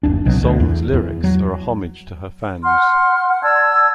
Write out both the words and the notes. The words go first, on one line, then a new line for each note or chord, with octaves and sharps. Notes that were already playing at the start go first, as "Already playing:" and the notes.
The song's lyrics are a homage to her fans.
F#1 D#2 D4
C2 B2 F#3
D2 D3
E2
E2
F#3
F#5 C6 F6
F#5
D5 A5 E6 G#6